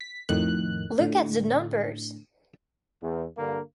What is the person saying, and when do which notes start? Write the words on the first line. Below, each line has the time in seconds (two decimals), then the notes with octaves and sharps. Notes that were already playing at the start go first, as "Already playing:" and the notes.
Look at the Numbers!
0.01 B6
0.29 F2 A2 D#3 F#6
0.99 A2 D3
3.02 E2
3.37 G2 D3 A#3